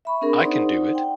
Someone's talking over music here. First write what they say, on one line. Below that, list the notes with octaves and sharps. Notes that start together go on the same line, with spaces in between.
I Can Do It!
E5 B5 C#6
C4 D4 G#4 A#4
D#4 C5 D5 F#5 C6
F#5 G5